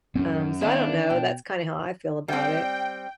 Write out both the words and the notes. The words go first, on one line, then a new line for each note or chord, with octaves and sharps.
Um, so, I don't know, that's kind of how I feel about it,
A1 F#2 C4 C#4
D#3 B3 D4 E5 F5
B2 G5
G3 C4 G5